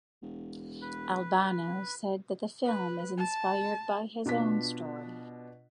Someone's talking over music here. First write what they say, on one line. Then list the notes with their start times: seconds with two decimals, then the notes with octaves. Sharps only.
Albano said that the film is inspired by his own story.
0.22 E1
0.82 B4
2.64 B4
3.18 A5
4.26 B2 D4 F4 B6